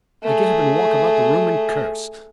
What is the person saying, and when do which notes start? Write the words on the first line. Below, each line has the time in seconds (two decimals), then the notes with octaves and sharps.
I get up and walk about the room and curse....
0.23 A3 G#4